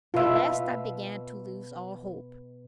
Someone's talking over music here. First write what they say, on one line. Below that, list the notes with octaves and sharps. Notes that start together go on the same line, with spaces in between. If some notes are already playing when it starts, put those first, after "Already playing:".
At last I began to lose all hope.
B2 F4 E5 B5